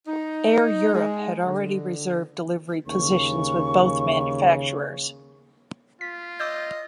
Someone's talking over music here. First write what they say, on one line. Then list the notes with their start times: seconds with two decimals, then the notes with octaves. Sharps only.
Air Europe had already reserved delivery positions with both manufacturers.
0.07 D#4
0.93 G#3
1.44 D3
2.87 D#2 C#3 C#6
6.01 F4 B6
6.40 D#5 D6 E6 G6